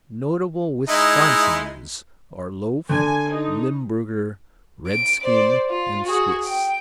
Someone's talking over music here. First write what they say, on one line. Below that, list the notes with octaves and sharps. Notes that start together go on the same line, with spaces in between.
Notable Wisconsiners are Loaf, Limburger, Redskin and Swiss.
G#3 D#4 E4
D3 G#5
D#4
D7
C5 D5
F4
F#4 G#4
G5